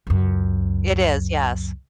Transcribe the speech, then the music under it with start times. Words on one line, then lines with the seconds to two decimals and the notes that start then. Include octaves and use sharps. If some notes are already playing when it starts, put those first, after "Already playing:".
It is, yes.
0.07 C#2 F#2